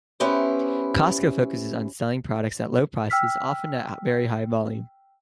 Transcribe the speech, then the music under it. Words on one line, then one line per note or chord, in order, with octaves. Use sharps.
Costco focuses on selling products at low prices, often at very high volume.
B3 C#4 E4 G4 C5
G5 E6 F6 B6